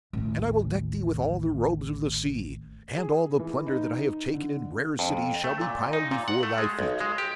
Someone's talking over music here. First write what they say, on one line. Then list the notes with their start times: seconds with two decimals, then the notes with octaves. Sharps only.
And I will deck thee with all the robes of the sea, and all the plunder that I have taken in rare cities shall be piled before thy feet.
0.13 A1 D#2
2.97 G#4
3.39 E3
3.67 D#4
4.34 D3
4.99 F2
5.44 A3
5.61 A#2
5.93 D#4
6.11 A#2
6.28 F#5
6.43 A3
6.58 G#3
6.79 B1
7.01 G#3
7.18 G4